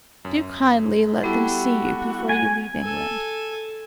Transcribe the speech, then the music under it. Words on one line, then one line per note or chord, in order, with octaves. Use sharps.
"Do kindly let them see you before you leave England."
F#2
G3 B3 E4 F#4 G4 A4
G#5
A4 G#5